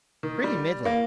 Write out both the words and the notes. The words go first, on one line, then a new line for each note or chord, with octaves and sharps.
"Pretty middling."
D#3
G3
A#3